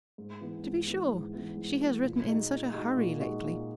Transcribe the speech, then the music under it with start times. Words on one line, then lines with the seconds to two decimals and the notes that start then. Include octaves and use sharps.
To be sure, she has written in such a hurry lately.
0.18 G#2
0.41 E3 B3
0.64 G#2
0.87 E3 B3
1.11 G#2
1.34 E3 B3
1.57 G#2
1.81 E3 B3
2.03 A#2
2.27 G#3 D#4 F#4
2.51 A#2
2.73 G#3 D#4 F#4
2.97 A#2
3.20 G#3 D#4 F#4
3.43 A#2